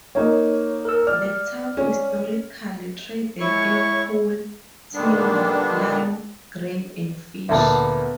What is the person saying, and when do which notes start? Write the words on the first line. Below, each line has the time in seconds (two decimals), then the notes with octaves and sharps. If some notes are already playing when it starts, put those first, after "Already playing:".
The town historically traded in coal, timber, lime, grain and fish.
0.15 A#3 D#4 C#5
0.85 A#4 E6
1.07 D5 F6
1.77 C#4
3.40 G#3 E4 C#5 C#6
4.94 A#2 D3 D#3 G3 B3 D4
7.49 D2 A#2 B3 E5 A5